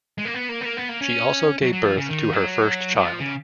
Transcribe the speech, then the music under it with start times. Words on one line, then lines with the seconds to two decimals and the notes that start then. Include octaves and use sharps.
She also gave birth to her first child.
0.18 G#3
0.25 A#3
0.34 B3
0.49 A#3
0.61 B3
0.65 A#3
0.77 B3
0.89 A#3
1.01 C#4
1.62 F#3
1.73 F#3
1.84 F3
1.97 C#3
2.09 D#3
2.33 F#3
2.95 F#3
3.05 F3
3.20 C#3